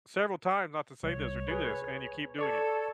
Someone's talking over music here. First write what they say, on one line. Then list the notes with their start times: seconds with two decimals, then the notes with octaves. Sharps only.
"several times not to say this or do this, and you keep doing it."
1.03 C2 C#5
1.48 G#4 B4
2.39 A4 D5 C#6 G#6